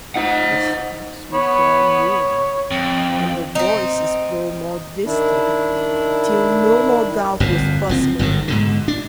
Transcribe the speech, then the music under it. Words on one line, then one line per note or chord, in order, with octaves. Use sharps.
The steps would draw nearer, and the voices grow more distinct, till no more doubt was possible.
D#4 C5 F#5
B3 C#5
F2 G5
C4 D#4
D#3 D4 E4
G1 F2 A#2
F#1 F3 C4
G1 G#2 B2 D#3
G#2 B2 D3
D4